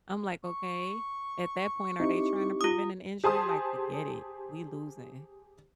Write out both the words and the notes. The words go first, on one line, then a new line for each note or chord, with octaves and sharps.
I'm like, "Okay? At that point, are they trying to prevent an injury?" Like, "Forget it. We losing."
C#6
C4 D#4 E4 G4
F4 D#6
G4 G#4 C5 A5 C6 D#6